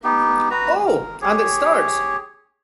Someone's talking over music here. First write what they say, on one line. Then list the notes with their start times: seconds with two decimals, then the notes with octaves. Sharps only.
Oh! And it starts!
0.04 B3 D#4 G4
0.51 F#4 B4 A#5
0.86 A#4
1.21 G4 G#4 C#5